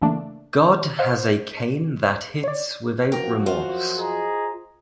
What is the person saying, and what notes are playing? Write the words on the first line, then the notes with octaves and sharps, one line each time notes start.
God has a cane that hits without remorse!
C#3 E3 A3 A#3 D4
C5 D#5 F5 F#5
C#5 D5
F#2 F3 F#4 A#4 G5
F4 C5
G#4 D#5 A#5